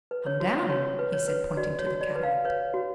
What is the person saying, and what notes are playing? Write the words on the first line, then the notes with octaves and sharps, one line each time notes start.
"Come down," he said, pointing to the cataract.
B4
C#5
F#4
F#4 C#5
B4
C#5
B4
F#4 D5
C#5
F#4
D5
B4
F5
B4 C#5
F#4